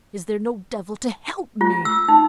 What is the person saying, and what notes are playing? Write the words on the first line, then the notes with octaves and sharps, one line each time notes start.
Is there no devil to help me?'
F4
E6
D#4